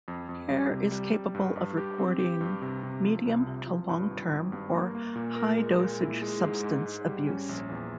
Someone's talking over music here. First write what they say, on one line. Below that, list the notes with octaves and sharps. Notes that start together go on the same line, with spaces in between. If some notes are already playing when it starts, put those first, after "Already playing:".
Hair is capable of recording medium to long-term or high dosage substance abuse.
F2
F2
G3
C3
G3
G3
G2
G2
G4
C4
G4
G2
C3
C3
F3
C2
C3
F3
G2
G#1
G#1
G2
A#3
A#3
A#2
A#4
G#3
A#2
E4
G#3
G#2
G#2
G#2
G3
C#4
A#1
E2